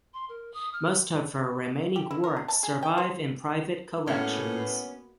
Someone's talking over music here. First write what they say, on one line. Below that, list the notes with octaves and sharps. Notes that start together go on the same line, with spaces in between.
Most of her remaining works survive in private collections.
C6
A#4
D#6
F6
G4
E4
A#4
D4
A5
G#4
G5
C5
A2 A#3 B3 C#4 F#4 E5